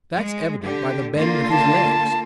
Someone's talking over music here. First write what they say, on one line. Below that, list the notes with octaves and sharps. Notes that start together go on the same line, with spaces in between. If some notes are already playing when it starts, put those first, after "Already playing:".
That's evident by the bend of his legs.
G#3
D3 G4
D3 A#3 F4
A5